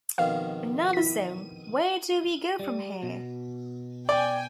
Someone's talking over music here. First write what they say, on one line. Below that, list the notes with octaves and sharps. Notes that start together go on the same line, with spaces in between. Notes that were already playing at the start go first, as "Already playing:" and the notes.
Another song, Where Do We Go From Here?
F2 B2 D#3 F5
E4 B6
G3
B2
D5 G5 G#5